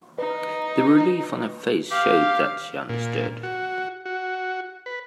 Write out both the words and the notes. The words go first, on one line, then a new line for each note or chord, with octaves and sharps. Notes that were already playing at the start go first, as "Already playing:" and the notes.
The relief on her face showed that she understood.
D#4 B4
G4 F5
A#2
F#4
F#4
B4